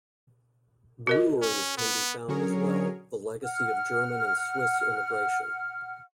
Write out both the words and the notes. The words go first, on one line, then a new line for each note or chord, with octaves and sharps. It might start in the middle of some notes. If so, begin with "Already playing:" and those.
Breweries can be found as well, the legacy of German and Swiss immigration.
F#4 A#4 D#5
C#4
B3
D3 F#3 C#4 G#4 A#4 C#5
F#5 F6